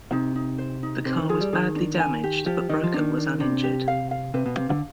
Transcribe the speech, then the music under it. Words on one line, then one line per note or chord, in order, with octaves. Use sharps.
The car was badly damaged, but Broker was uninjured.
C3 D#4
D#4
C5
D#4
C3 C5
D#3
F3 G#4
G3
D#3 G#4
D4
G#5
G4
F3 G4
D#3 D#5
F3
D#3 D4
D4
C3 D4
G4
F5
F5
C3 B4
B2
C3 F5
D3